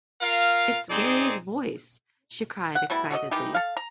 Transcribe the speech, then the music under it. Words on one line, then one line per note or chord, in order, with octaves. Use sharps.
"It's Gary's voice," she cried excitedly.
F4 A#4 F5
C4 D#4 G#4 C5 D5
F#5
B2 G3 A3 E4
F#4 A4 D5 D#5
D#3 E3 D#4 G4
A4 F5
A#5